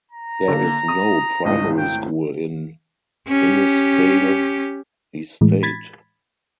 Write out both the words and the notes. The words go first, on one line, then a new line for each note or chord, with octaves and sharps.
There is no primary school in Innisfail Estate.
A#5
D3 A#3
D#6
G#1 C#2 A2 D#5
G5
C#4 G4
A2 E3 G#3
B5 G#6 A6 B6